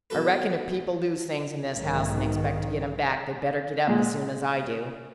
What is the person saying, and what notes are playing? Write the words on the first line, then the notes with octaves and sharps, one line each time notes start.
"I reckon if people lose things in this house and expect to get 'em back, they better get up as soon as I do."
B1 F#4 A4 B4
B1 G#2 D#3
A#2 G#3